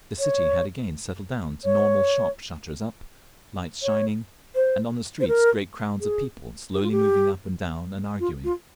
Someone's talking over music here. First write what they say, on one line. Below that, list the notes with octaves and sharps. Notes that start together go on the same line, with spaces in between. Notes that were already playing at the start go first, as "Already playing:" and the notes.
The city had again settled down to normal--shop-shutters up, lights shining, and on the streets great crowds of people slowly moving up and down and arguing....
C#5
C#5
C#5
C5
C5
A#4
G#4
G4
F4
G4
F4
F4